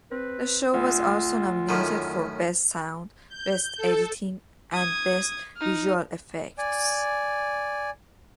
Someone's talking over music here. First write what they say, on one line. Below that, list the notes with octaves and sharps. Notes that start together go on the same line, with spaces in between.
The show was also nominated for Best Sound, Best Editing, and Best Visual Effects.
C4 B4
D2 F4
F#2 A2 D#3
G6
A4
D#6 G#6
D#4 F6
D5 G#5